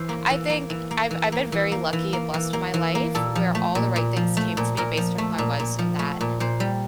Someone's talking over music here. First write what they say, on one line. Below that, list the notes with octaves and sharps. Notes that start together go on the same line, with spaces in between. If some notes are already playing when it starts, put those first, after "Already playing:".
I think I've I've been very lucky and blessed in my life where all the right things came to me based on who I was in that
Already playing: E3 C5
A#3
E3
A#3
E3
A#3
E3
A#3
E3
A#3
E3
A#3
E3
A#3
E3
A#3
A#2 A4
F3
A3
A#2
A#2
F3
A3
A#2
A#2 A#4
F3
A3
A#2
A#2
F3
A3
A#2
A#2 C5
G3